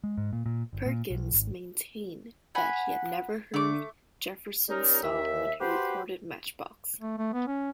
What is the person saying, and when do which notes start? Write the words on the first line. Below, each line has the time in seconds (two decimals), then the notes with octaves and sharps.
Perkins maintained that he had never heard Jefferson's song when he recorded "Matchbox".
0.04 G#3
0.18 G#2
0.33 A#2
0.46 A#2
0.73 G1
0.86 A#2
1.10 B1
1.33 G#1
2.55 F#5 G#5 B5
3.54 D3 A3 D6
4.69 G3 C#4 D#4 A#4
5.03 D#2 E5
5.60 F#4 G4 B4 C5
7.01 A3
7.18 A3
7.33 B3
7.47 C#4